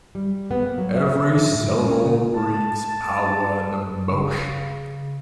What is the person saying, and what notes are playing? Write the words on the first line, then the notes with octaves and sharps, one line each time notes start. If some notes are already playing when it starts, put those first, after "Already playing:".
Every syllable breathes power and emotion.
G3
B3
A#3
F#3
E5
F3
A2
G#3
C#4
C#3
A5
C#3